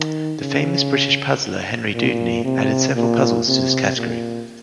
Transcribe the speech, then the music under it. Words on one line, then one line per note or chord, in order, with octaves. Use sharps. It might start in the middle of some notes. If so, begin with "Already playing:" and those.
The famous British puzzler Henry Dudeney added several puzzles to this category.
Already playing: D#3
C#3
A#2
C3
A#2
C3
A#2